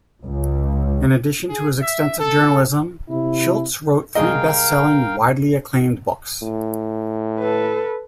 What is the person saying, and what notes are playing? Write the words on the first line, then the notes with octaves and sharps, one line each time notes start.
In addition to his extensive journalism, Shilts wrote three best-selling, widely acclaimed books.
C#2
G#4
E5
A4
C3 E4
C2 G#3 A#4 D#5 F5 G5
A2
A4 B4